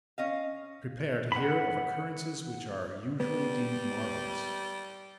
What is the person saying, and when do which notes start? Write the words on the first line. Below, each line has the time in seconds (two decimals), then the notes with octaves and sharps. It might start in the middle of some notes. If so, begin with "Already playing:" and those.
Prepare to hear of occurrences which are usually deemed marvellous.
0.18 C#4 D#5 F5
1.32 F#5 B5
3.20 G3 B3